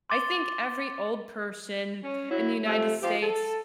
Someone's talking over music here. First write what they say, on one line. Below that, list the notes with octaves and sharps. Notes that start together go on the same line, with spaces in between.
I think every old person in the United States
C6 D6 A6 G7
C#4
F#3 E4
C3 F3 A3
F3 G4
A4